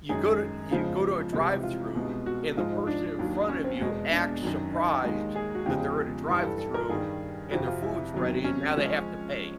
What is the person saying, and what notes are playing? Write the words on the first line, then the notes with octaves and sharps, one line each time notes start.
you go to you go to a drive-thru and the person in front of you acts surprised that they're at a drive-thru and their food's ready and now they have to pay.
F#2 D#3 G#3 G#4
E2 C#3 F3 G#3
C2 C3 E3 G#3 E4
F4
C2 B2 G#3
F#4
G#2 F3 G#3 F4
D#4
D4
D#2 D#3 F#3
C#4
C4
E2 B2 G#3
D4
F#2 D#3 F#3
D#4
D#2 D#3 G#3
G#4
F#4
E2 C#3 F3 G#3 G4
G2 E3 G3
A4
A4
A#4
G2 D#3 G3 G#4
F2 C3 F3 F#4
F4
E4
E2 C3 D#3 F#3
C#4
F3 G#3